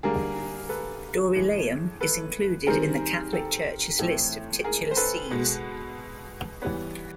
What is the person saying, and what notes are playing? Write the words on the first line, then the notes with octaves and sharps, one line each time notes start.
Dorylaeum is included in the Catholic Church's list of titular sees.
D3 G3 A#3 G#4 A#4
A4 B4
A2 E3 G#3
A4 B4
D#3 G3 C4 G#4 A#4
G4 A4
A2 E3 A3 C4 G4 A4
G#4 A#4
C5
A4 B4
B2 G#3 B3
E3 G3 B3 B4 C#5